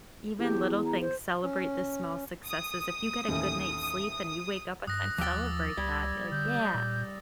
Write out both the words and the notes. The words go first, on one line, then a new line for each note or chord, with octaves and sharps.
even little things, celebrate the small successes, if you get a good night's sleep and you wake up on time, celebrate that, be like, "Yeah"
E2 G4
A#5
C5
C#4
D#6
A1 D#2
G2 D#6 F#6 A#6
D#2 F3 G5 D6 E6 A6
C#2 G3 G#6
D3 G6
A#2